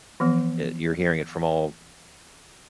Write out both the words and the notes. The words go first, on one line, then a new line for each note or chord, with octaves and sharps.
Eh, you're hearing it from all
E3 F3 B3